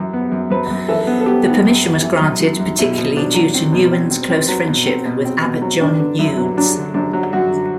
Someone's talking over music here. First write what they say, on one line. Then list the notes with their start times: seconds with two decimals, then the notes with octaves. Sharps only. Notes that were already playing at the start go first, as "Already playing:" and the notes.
The permission was granted particularly due to Nouwen's close friendship with Abbot John Eudes.
Already playing: F#2 E3
0.13 B3
0.32 F#2
0.50 F#2 B4
0.70 F#2
0.88 E3 A4
1.07 B3
1.21 A4
1.26 B3 G4
1.46 B3
1.65 F#2
1.84 B3
2.02 E3
2.21 F#2
2.40 F#2
2.60 F#2
2.79 B2 E4
2.98 B2
3.16 B2 D4
3.34 F#3
3.54 C4
3.72 B2
3.92 C4
4.11 C4
4.30 C4
4.48 F#3
4.67 B2
4.87 C4
5.05 B2
5.25 C4
5.44 B2
5.62 F#3
5.81 D3 D4
6.00 D3
6.19 F#2 E4
6.38 F#3
6.57 F#3 D4
6.76 D3
6.94 F#2 D4
7.13 F#3
7.33 F#2 F#4
7.52 D3